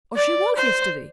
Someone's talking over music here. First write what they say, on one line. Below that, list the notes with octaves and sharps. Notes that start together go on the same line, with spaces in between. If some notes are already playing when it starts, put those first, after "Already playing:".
Or she was, yesterday.
D5
C5